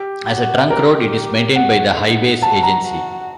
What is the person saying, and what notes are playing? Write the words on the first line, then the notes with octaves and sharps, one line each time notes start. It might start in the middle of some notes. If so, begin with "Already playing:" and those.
As a trunk road it is maintained by the Highways Agency.
Already playing: G4
F#4
G4 A#4
F#4 F#5
D#4
F#4 A5
A#5
F#4